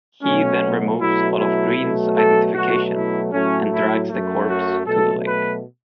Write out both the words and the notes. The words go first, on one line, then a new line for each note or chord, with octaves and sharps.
He then removes all of Greene's identification and drags the corpse to the lake.
B2 F#3 A3 C#4
B2 F#3 A3 E4
E4
B2 F#3 A3
A4
B2 F#3 A3 F#4
E4
A2 F#3 A3 C#4
E4
F#2 F#3 A3
F#4
B2 F#3 A3 A4
B4